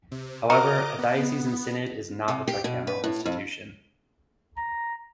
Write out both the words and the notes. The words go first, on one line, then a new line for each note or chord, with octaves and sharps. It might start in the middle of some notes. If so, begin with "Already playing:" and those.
However, a Diocesan Synod is not a tricameral institution.
C3
F#4 A#4 D#5 A#5 D6
B3
C3
G4
B2
B4
A2
F2
A#5